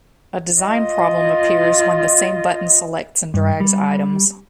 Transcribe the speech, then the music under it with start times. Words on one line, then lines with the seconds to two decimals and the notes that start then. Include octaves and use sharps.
A design problem appears when the same button selects and drags items.
0.62 F4 D#5
3.34 G2
3.60 G3